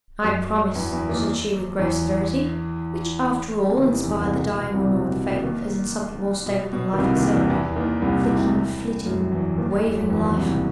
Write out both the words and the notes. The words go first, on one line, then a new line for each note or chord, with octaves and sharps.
'I promise,' said she, with grave severity; which, after all, inspired the dying woman with faith as in something more stable than life itself,--flickering, flitting, wavering life!
F#2 F#3
E2 E3
E2 E3
D#2 D#3
E2 E3
C3
D#3
E2 E3
E2 E3
C2 C3
B2
B2
C2 C3
B2
B2
B2
D#2 D#3
B2
B2
D#3
C2 C3
D#2 D#3
E2 E3
E2 E3
D#2 D#3
C2 C3
B2
C2 C3
F#2 F#3
E2 E3
D#2 D#3
E2 E3
F#2 F#3
F#3
E2 E3
D#2 D#3
C2 C3
B2